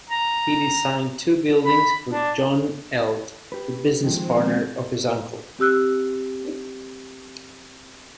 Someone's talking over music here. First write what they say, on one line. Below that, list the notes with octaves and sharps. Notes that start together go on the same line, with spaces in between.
He designed two buildings for John Eld, the business partner of his uncle.
A#5
B5
D4
G4 B4
D#3 F3 G#3 C4
C4 G4 E6 F#6